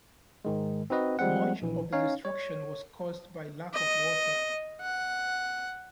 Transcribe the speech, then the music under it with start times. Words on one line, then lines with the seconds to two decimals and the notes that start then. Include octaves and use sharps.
Much of the destruction was caused by lack of water.
0.45 G#2 D#3 G#3
0.90 C4 D#4 F#4 B4 D#5
1.19 F3 G3 G#3 C4 F#5
1.62 A#1 E3
1.93 C#4 D#4 C#5 F5
2.25 C#5
3.74 D#5
4.81 F#5